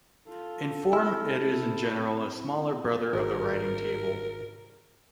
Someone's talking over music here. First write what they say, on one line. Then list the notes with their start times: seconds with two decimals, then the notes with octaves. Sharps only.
In form it is in general a smaller brother of the writing table.
0.28 F4 A4
0.93 C4 E4 E6 F6
3.13 G#1 A#4